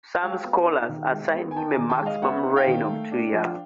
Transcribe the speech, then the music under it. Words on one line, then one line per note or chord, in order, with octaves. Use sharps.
Some scholars assign him a maximum reign of two years.
G#3 F5 G5
B3
D#4
D#3
G#3
B3
G#5
D#4 G5 A5
G#5 A#5
D#3
G5 A5
G#3
D#5 F5
B3 E5 F#5
D#4
F5 G5
D#3
A3
D4
F3